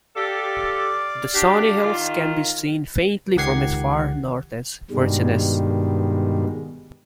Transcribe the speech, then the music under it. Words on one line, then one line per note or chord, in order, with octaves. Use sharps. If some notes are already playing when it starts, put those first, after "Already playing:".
The Shawnee Hills can be seen faintly from as far north as Vergennes.
G4 A4 D5 F5 D6
D4 F#4 G4
D#3 F4
C#2 D#3 G4 F#5 G#6 C7
G2 B2 D#3 G3 G#3